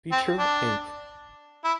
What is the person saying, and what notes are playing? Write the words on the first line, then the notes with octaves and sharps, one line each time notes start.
Feature Inc.
C4
D4
E4